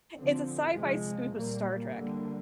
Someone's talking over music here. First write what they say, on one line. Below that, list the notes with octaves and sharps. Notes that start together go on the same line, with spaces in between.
it's a sci-fi spoof of Star Trek.
D3 F3 C4
C3 F3 G#3
A#2 G3 A#3
D3 G3 A#3